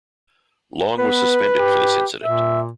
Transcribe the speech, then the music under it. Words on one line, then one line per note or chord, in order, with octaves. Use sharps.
Long was suspended for this incident.
B3 B4
G4
A#2 E5